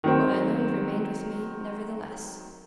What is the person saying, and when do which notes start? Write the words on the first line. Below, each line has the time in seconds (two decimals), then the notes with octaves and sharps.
But what I learned remained with me, nevertheless.
0.04 D#3 F#3 C4